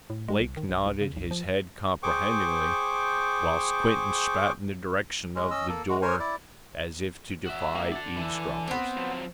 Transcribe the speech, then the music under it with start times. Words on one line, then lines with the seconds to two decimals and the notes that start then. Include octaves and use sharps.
Blake nodded his head comprehendingly, whilst Quinton spat in the direction of the door as if to defy eavesdroppers.
0.10 A2
0.28 G#3
0.40 C2
0.57 D#3
0.69 A#1
0.86 C2
1.01 C#3
1.17 B1
1.31 F3
2.03 G#4 C5 G5 C#6 D6
5.35 G#3 C#4
5.51 C#4 D#5 E6
5.68 A#3 A4
5.89 G#3 F#4
6.02 A#4 C5 C#5 G#5
6.19 E4 D5
7.45 F#4 E5
7.75 A#3
7.92 A4 D5
8.17 E3
8.68 B3 C4 C5
8.97 F3 F#3